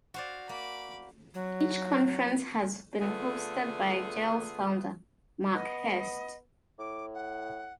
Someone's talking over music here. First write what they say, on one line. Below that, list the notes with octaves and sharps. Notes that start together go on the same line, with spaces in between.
Each conference has been hosted by Gel's founder, Mark Hurst.
F#4 C5 D5 F5
A#3 B5 D6
F#3
D3 A3 B3 F4 G#4
B3 D#5
A2 D6
F#5